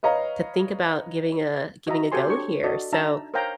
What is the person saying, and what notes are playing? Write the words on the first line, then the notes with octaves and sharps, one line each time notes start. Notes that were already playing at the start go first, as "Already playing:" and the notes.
to think about giving a giving a go here, so,
B4 C#5 D#5 F5 A#5
F#4 D#5 E5 A#5
F#4 G4 A4 C5 G#5 C6
D4 A4 C#5 C#6
F#4 A4 D5 D#5
D4 D#4 E5 A5 A#5
A#4 C5 C#5 F5 G5 A#5